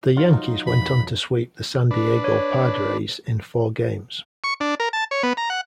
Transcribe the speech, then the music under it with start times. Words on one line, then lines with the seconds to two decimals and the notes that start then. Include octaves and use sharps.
The Yankees went on to sweep the San Diego Padres in four games.
0.16 F#3 D#4 F4
0.67 F2 B5
1.91 D4 B4
2.24 C#5
4.44 C#6
4.60 D4
4.80 A#4
4.93 A5
5.11 C#5
5.23 B3
5.37 A#5
5.50 F#5